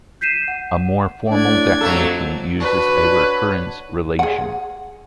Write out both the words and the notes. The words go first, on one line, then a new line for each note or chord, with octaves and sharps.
A more formal definition uses a recurrence relation.
G6 B6 C7 D#7 E7
F#5
A2 D4 D5 G#6
F2 F#3 A3 A4
D4 F#4 B4 C#5
G#4 F#5